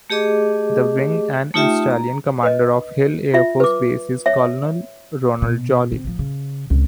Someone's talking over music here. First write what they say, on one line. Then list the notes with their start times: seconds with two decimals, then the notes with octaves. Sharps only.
The Wing and Installation Commander of Hill Air Force Base is Colonel Ronald Jolly.
0.10 A3 G4 G#4 D#5 D6
1.54 A3 D#4 F4 G4 E5 G5
1.91 A#5
2.43 B4 D#5
3.34 F4 E5
3.60 B4 D6
4.26 C#5 E5
5.42 B2
5.92 C3
6.04 A1 F3
6.19 C#3
6.70 C#2 C3